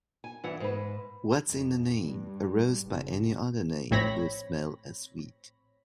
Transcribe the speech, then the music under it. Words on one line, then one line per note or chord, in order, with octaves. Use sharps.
What's in a name? A rose by any other name would smell as sweet.
G#5
G2 E3 F#5
G#2 B4
F2
G2
F#1
A#1 A2 C4 C#5 B5 A#6